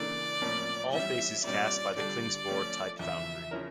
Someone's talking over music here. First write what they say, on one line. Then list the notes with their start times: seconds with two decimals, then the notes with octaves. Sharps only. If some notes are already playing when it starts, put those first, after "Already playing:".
All faces cast by the Klingspor Type Foundry.
Already playing: C#3 E3 A#3 D4 A4 D5
0.41 A2 F3 A#3 C#4
0.93 E3 G3 C#4 E5
1.44 A#2 G3 C#4 D5
1.96 D3 G3 D4 A4 D5
2.48 F3 A3 C#4
2.99 E2 C#3 F3 E5
3.51 C#3 F3 C#4 E4 A#4